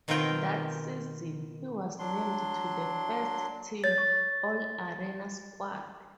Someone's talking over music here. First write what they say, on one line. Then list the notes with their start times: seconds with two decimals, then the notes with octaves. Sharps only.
That season, he was named to the First-team All-Arena squad.
0.08 B2 D#3 C4 F4 A#4 G5
1.99 F#3 D4 C6
3.84 C#5 A6
3.98 C#6